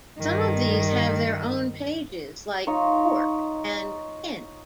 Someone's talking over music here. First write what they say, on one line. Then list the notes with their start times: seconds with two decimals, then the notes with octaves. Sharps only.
Some of these have their own pages, like "fork" and "pin".
0.19 G2 D#3
2.67 D#4 F4 C#5